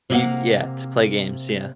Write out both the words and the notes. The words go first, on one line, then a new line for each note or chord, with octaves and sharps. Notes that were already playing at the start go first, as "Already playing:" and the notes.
E yeah, to play games, yeah.
C3 A#3 C5 D#5 F5 F#5